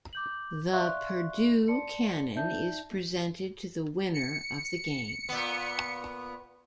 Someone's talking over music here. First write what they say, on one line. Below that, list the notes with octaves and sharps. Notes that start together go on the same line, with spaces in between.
The Purdue Cannon is presented to the winner of the game.
D6 G6 F#7
D5 E5 F5 C6 C#6 F#6
D5 A5 C6 C#7
D#4 D5 E5 A5 G6
C#7
A#2 B3